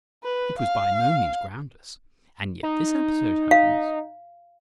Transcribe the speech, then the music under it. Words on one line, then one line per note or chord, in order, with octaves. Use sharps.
It was by no means groundless--and yet this episode happens.
B4
F5
D#4
F5